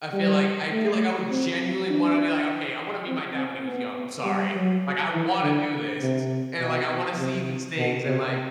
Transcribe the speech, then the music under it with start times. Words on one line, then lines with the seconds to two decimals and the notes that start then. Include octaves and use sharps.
I feel like I feel like I would genuinely wanna be like, "Okay, I wanna meet my dad when he was young, I'm sorry." like, "I wanna do this," and, like, "I wanna see these things," and, like,
0.13 G3
0.72 A3
1.30 C4
1.89 D4
3.07 C4
3.36 C4
3.66 B3
4.24 G3
4.54 F#3
5.13 E3
5.43 D3
6.01 C3
6.59 B2
7.18 C3
7.78 B2
8.07 C3